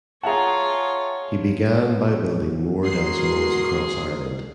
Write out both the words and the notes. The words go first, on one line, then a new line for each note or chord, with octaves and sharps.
He began by building more dance halls across Ireland.
F4 G#4 C#5 E5 F#5 A5 A#5
G#3 F#4 G#4 A#4 C6 C7